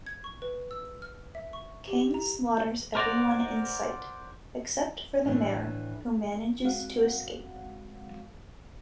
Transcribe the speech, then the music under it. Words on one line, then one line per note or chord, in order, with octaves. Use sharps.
Cain slaughters everyone in sight, except for the mayor who manages to escape.
G#6
C#6
B4
E6
F6
E5
C#6
G4
A#5
A#4 C5 D5 F5 F#5 A#5
A2 D3 E3 A3
G#3 C4 F#4 F5 F#5